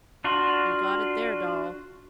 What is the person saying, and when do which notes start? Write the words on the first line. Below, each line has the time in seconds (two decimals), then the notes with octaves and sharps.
'You got it there, Doll.
0.24 D4 F4 F#4